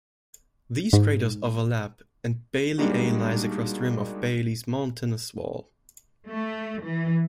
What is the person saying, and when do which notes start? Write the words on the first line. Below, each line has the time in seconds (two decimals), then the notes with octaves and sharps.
These craters overlap, and Bailly A lies across the rim of Bailly's mountainous wall.
0.93 G#2
2.78 G3 G#3 A#3 D4 D#4 F#4
6.30 A3
6.83 E3